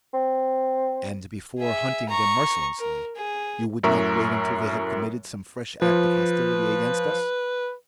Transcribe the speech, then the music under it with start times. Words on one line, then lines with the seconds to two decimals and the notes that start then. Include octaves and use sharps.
"And before hunting them mercilessly, you would not wait until they had committed some fresh act of hostility against us?"
0.14 C4
1.59 G#4 E5
2.09 A#5 C#6
2.79 A#4
3.16 G#4
3.83 F#2 A2 A#4 E5 C#6
5.82 F3 B4